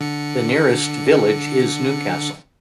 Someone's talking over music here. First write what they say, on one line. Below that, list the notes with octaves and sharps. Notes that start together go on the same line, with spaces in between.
The nearest village is Newcastle.
D3 C#7